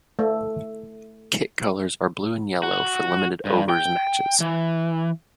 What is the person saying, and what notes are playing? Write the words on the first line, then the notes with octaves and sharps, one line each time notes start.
Kit colours are blue and yellow for limited overs matches.
A3
F#4
G2
G5
E3